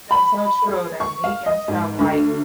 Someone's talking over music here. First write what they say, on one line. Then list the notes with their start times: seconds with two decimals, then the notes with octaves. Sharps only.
That's so true, they're making stuff like
0.11 B5
0.68 G#4
1.00 C#6
1.24 F5
1.46 D#5
1.68 G#2
1.99 D2